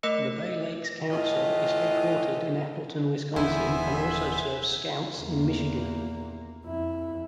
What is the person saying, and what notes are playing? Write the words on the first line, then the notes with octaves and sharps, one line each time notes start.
The Bay-Lakes Council is headquartered in Appleton, Wisconsin, and also serves Scouts in Michigan.
A3 A#4 D#5 E6 C#7
A2 E3 F4 D#5
D#1 E3 B3 E4 B4 C5 E5 G#5
E2 A#3
F2 E4